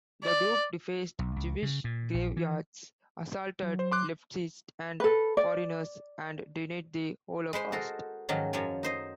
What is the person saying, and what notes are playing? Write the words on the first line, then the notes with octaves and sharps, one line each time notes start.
The group defaced Jewish graveyards, assaulted leftists and foreigners, and denied the Holocaust.
D5
B1
C#2
C#3
A#2
A#1
E3
F#3
C5
C6 D6 F#6
A4 B4
D5
G#3 B4 C5 C6
F#4 A4 A#4 C5 D#5
G#2 D#3 F3 F#3 C#4
F#2 F3 F#3 C#5 G#5
D#4 C5 D#5